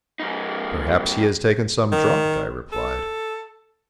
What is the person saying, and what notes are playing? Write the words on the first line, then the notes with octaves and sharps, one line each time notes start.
"Perhaps he has taken some drug," I replied.
F#2 D#4
D#3
A4